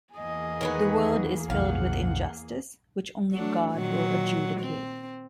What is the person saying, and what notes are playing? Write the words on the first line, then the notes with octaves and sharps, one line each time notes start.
The world is filled with injustice, which only God will adjudicate.
E2 A#3 G#4 D#5 G#5
D#3 G#3 B3
B1 F2 F5 F#5
F#3 A3 D4
A#2 D#3 F#3
C4